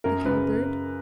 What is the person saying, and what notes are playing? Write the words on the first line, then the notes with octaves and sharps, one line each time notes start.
The Cow Bird.
F#2 A#4
C#3 B4